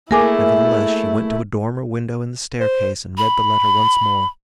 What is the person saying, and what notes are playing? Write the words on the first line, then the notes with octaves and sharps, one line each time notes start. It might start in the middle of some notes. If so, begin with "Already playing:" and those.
Nevertheless she went to a dormer window in the staircase and read the letter once more.
A3 A#3 E4 G#4 A#4 G#5 D6
C5
B5